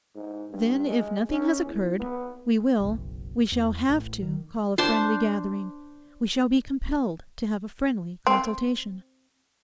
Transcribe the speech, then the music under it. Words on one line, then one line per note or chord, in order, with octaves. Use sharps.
Then, if nothing has occurred, we will, we shall HAVE to call a friendly gathering, we shall be compelled to have a friendly consultation.'
G#2
G2
G#3
C#4
E2
B3
F#1 B1
E2
A1
D#3
D4 C5 A5 C6
C4